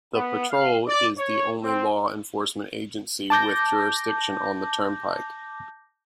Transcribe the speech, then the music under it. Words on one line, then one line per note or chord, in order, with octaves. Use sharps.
The Patrol is the only law enforcement agency with jurisdiction on the turnpike.
B3
F5
D5
C#5
C4
A5 D6 G6 A#6